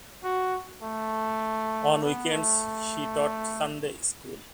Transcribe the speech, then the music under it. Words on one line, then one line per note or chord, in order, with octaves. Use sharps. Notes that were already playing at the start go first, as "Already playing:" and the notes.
On weekends she taught Sunday school.
F#4
A3
B3
A3